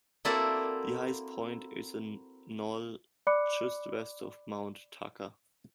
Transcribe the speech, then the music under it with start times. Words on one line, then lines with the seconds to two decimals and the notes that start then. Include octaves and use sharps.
The highest point is a knoll just west of Mount Tucker.
0.25 A#3 C4 E4 F#4 A4 D5
3.27 D5 B5 D6 F#6 C#7